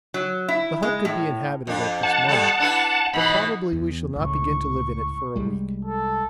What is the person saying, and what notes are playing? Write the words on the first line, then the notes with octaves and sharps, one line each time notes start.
The hut could be inhabited at this moment, but probably we shall not begin to live in it for a week.
F#3
E4
G#3
A2
F2 D4
F#5 A5
B2 G3 A3
D4 E4 B4
G#2 B2 E3 B5
E2
C#2 A2 C#6
C2 G3 G#3
A4